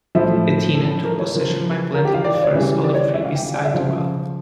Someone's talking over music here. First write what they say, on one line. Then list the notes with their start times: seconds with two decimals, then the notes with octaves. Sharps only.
Athena took possession by planting the first olive tree beside the well.
0.15 A2 F3 E5
0.75 A4
1.05 A#4
1.19 C#5
1.34 C#3 F3 A#4
1.94 A#4
2.05 G4
2.14 F5
2.24 D5
2.34 D5
2.44 C#5
2.54 C#3 E3 G3
2.84 D5
2.94 C#5
3.05 D5
3.14 E5
3.25 F5
3.35 G5
3.54 D5
3.65 E5
3.74 C#3 F3 F5